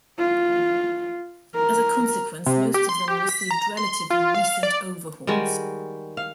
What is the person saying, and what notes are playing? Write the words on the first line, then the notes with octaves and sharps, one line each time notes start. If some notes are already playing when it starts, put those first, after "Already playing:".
As a consequence most of them received relatively recent overhauls.
F4
A#4
C3
G4
C6
G4
B6
A#5
C6
F4
F5
D5
D#3 G3 G#3 F#4
F5